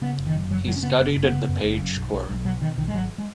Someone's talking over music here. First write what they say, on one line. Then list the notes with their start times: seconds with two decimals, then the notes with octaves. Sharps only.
He studied at the Page Corps.
0.01 C#3 B3
0.18 F#1
0.27 D#3
0.34 F#2
0.50 F#1 F#3
0.67 C#3 F#3
0.76 C#4
0.82 C#3 B3
0.99 F#1 B3
1.16 F#1
1.23 B3
1.32 C#3
1.49 F#2
1.64 F#1
1.80 F#2
1.97 B1
2.13 B1
2.30 B1
2.45 B2 F#3
2.61 B2 D#3
2.77 B1 D#3
2.88 G#3
2.94 G#1 F#3
3.18 G#3